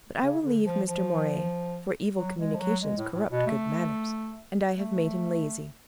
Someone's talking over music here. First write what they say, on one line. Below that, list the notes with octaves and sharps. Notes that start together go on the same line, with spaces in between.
But I will leave Mr. Moray, for 'evil communications corrupt good manners,' and I have made him lazy.
C#3
D3
F3
F3
F#3
G#3
F3
F#3
G#3
A2
A2
B2
A3
A3